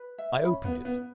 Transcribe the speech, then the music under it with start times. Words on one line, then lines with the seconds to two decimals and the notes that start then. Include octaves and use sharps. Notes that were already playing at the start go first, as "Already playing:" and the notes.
I opened it.
Already playing: B4
0.18 E5
0.45 C#4 B5
0.65 B3
0.72 B4
0.85 B3